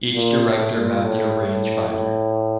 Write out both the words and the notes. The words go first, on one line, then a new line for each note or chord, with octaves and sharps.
Each director mounted a rangefinder.
A#2
A2
A#2
A2
A2
A2